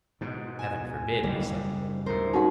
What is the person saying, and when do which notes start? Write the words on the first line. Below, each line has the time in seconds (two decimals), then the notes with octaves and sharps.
Heaven forbid, he said.
0.21 G#2 B2
0.59 G#5 E7
1.23 F#1 G#2 G3
2.06 D2 A2 A#4 C5
2.33 G#3 C#4 D#4 F#4 F#5